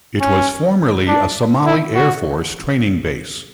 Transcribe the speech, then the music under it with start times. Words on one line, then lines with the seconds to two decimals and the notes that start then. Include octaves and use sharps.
It was formerly a Somali Air Force training base.
0.21 C#4
1.08 D4
1.66 E4
1.95 F#4